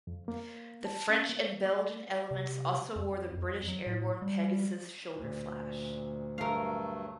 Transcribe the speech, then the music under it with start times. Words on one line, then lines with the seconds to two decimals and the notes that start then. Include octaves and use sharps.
The French and Belgian elements also wore the British airborne Pegasus shoulder flash.
0.07 F2
0.28 A#3
0.85 A5
1.10 C#4
1.29 A#3
1.66 D5
2.31 C3
2.96 F2
3.37 F2
3.68 F#3
3.87 A2
4.22 G3
5.16 D2 A#2
6.38 G2 F#3 A3 A#4 F5